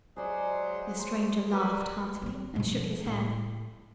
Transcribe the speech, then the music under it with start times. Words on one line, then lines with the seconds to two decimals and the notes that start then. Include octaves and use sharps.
The stranger laughed heartily, and shook his head.
0.16 F#3 G#3 G#4 C5 D5
1.00 C6
1.53 F#3 G3 A#4 B4
2.22 B3 C4
2.56 B2 F3
3.06 A2